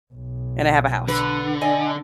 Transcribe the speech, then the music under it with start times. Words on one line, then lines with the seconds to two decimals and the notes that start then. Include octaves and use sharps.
and I have a house.
0.14 B1
1.08 D3 B4
1.62 D#5 G#5